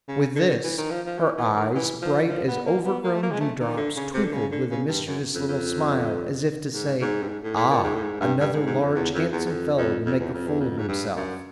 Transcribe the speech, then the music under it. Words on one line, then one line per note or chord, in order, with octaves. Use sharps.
With this, her eyes, bright as overgrown dew-drops, twinkled with a mischievous little smile, as if to say: "Ah, another large handsome fellow to make a fool of himself."
C#3
D3
E3
D#3
F3
F3
E3
E3
D#3
E3
F3
F3
B3
A#3
B3
A#3
A3
A#3
G#3
A3
D#3
D3
C#3
C3
D3
C#3
D3
C#3
G2
F#2
F2
F2
G#2
G#2
G2
G#2
A2
A2
A#2
G#2
A2
G#2
G2
G2
G#2
G#2
F2
E2
F2
E2
E2
F2
F2
F2
E2
F2
E2
F2
G#2
G2
F#2